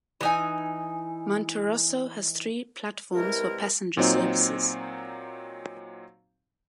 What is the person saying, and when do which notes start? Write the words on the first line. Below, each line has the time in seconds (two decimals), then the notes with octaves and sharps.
Monterosso has three platforms for passenger services.
0.21 E3 D#4 G#5
3.14 C2 E3 G#3 E4 A#4
3.97 A#2 F#3 C4 D#4